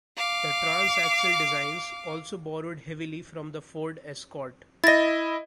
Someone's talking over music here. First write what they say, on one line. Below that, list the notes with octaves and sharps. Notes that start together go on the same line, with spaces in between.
The transaxle designs also borrowed heavily from the Ford Escort.
F5 D6
E4 D#5 A6 A#6